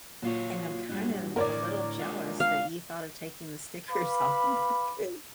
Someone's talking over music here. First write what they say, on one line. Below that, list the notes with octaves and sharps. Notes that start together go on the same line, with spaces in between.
and I'm kind of a little jealous that you thought of taking the stickers off because
A#2 F#3 F4 C#5
F#3 G3 D4
A2 D3 B3 A#4 C#5 D5
G#3 D4 F4
F5
B4 F5 B5 D6